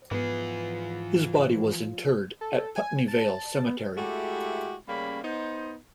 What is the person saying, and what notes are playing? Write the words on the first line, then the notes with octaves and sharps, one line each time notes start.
His body was interred at Putney Vale Cemetery.
G#2 E3 F3 B3 F4 G#4
A4
G#5
A5
B3
G#3 A3 E4 F#4 G4
C#3 G3 A3 A#3 C#4 B5
B3 D#4 C5